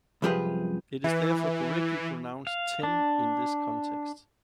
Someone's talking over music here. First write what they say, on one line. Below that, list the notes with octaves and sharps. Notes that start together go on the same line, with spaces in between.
It is therefore correctly pronounced "ten" in this context.
C2 F#2 F3 G4 G#4 B4
E3
F5
D4